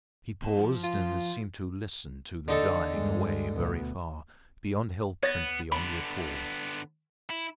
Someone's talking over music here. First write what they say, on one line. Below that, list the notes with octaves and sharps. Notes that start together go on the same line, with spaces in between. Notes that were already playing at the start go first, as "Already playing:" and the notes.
He paused, and seemed to listen to them dying away very far--beyond help and beyond recall.
B2 A5
F3
F4
D3 D#4 A4
G2 G#3
D2 B2 B3
B3 C#5 A6 A#6
D3 B3 B5
E4